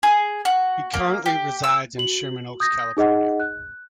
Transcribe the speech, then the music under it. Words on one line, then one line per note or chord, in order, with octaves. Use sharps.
He currently resides in Sherman Oaks, California.
G#4
F#4
A#3
G4
E6
F#4 F#7
D#6 G6 G#6 A#6
D#4 G#4 D#5 F#5
F#6